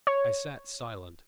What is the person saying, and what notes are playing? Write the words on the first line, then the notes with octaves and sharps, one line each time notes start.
I sat silent.
C#5